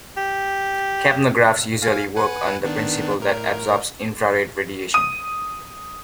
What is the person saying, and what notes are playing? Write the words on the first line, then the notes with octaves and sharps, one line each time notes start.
Capnographs usually work on the principle that absorbs infrared radiation.
G4
F5 G#5
B4 F#5 G#5
D#3 B3 D4
A2 A#4
D#6 D#7